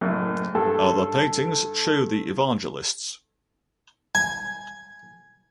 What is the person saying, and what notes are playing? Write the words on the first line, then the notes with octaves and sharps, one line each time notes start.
Other paintings show the Evangelists.
F#1 F#2 A2
G2 A4
G#5